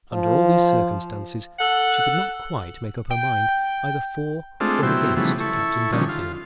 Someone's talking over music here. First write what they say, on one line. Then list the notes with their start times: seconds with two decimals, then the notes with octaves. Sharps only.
Under all these circumstances, she could not quite make up her mind either for or against Captain Bellfield.
0.12 F3
1.59 A4 F#5
3.10 G5
4.60 G#3 A3 C4 D4 F4
4.83 B2 F#3 E4 G4 C5
5.17 C#3 E3 F3 G3 A3 B3
5.40 E4 A4 C#6
5.92 D3 D#3 F3 G3 C#4
6.09 F4